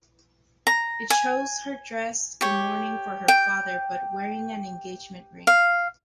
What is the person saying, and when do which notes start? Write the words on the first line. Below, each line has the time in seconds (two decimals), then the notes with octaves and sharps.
It shows her dressed in mourning for her father but wearing an engagement ring.
0.67 A#5
1.10 G#5
2.41 G4 C#5
3.28 G5
5.47 F5